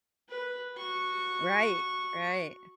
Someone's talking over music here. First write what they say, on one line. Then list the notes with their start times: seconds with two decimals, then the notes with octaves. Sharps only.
Right, right.
0.29 B4
0.76 F#4 C#6